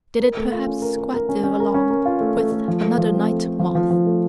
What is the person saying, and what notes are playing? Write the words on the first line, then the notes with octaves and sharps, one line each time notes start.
Did it perhaps squat there along with another night-moth?
A#4
A3
F4
C#4
A#4
A#4
A#4
C#4
C#4
A#4
C#4
A#4
F4
A3
A3
A3
F3
A3
F3
C4
A3
A3
F3
F3
F3
A3